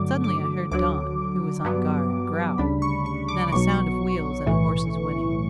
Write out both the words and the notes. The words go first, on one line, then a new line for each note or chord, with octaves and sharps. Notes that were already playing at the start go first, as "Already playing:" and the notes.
Suddenly I heard Don, who was on guard, growl, then a sound of wheels and a horse's whinny.
Already playing: G2 D3 F#3 A3 D6
D6
D2 D3 F#3 D6
G2 F#3 B3
D2 C#3 G3 D4 B5
C#6
C#6
D6
B1 B2 F#3 C#6
B1 A2 E3